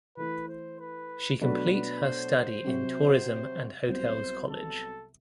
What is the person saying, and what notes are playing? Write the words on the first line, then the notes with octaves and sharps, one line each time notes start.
She complete her study in Tourism and Hotels college.
E3 A3 E4 B4
C5
B4
B2 F#3 A3 D4 F#4 B4
B4
C5
C3 F#3 C4 F#4
C2 C3 F#3 B3 C5
A4